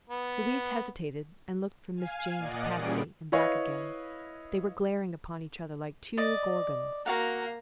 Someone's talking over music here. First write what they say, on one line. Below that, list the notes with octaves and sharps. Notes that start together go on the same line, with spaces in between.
Louise hesitated, and looked from Miss Jane to Patsy, and back again. They were glaring upon each other like two gorgons.
B3
F5 G#5
A#2 D5 D#5 F#5
A#2 E3 G3 C#4 G#4 D7
E4 B4 C#5 D#5 F5
D5 D#5
A#3 F#4 F5 F#5 A#5